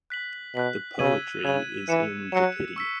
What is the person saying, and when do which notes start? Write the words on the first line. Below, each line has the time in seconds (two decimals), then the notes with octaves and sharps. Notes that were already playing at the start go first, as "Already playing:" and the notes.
The Poetry is in the pity.
0.10 F#6 B6 F#7
0.55 B2 F#6 B6 F#7
0.99 C#3 E6 G#6 D#7 F#7
1.43 C#3 E6 G#6 D#7 F#7
1.88 E3 F#6 C#7 E7
2.32 F#3 F#6 C#7 E7
2.76 C#6 E6 B6